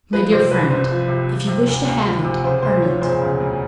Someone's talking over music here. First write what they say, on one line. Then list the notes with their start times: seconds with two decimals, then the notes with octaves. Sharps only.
"My dear friend, if you wish to have it, earn it."
0.13 F3 B4
0.31 C3 C5
0.51 C2 B4
0.71 C2 C5
0.90 F3
1.08 C3
1.28 F3
1.47 C3
1.67 D2
1.85 D2
2.06 F3
2.25 C3
2.44 C#3 C5
2.63 D2 C5
2.82 F3 C#5
3.02 E1 C5
3.21 C#3
3.40 D2